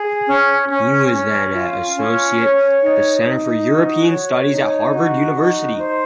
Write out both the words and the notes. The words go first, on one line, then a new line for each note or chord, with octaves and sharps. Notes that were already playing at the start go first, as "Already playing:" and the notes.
He was then an associate at the Center for European Studies at Harvard University.
Already playing: G#4
C#4
C#4
C#4
F4
C#4
C#5
D#4
D#4
F#4
C#5
D#4
F#4
D#4
C5